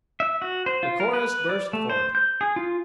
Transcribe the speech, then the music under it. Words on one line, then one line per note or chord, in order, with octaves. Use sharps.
The chorus burst forth.
E5
F#4
C5
F4
A#4
B4
D5
A3
C5
G6
G#4
F4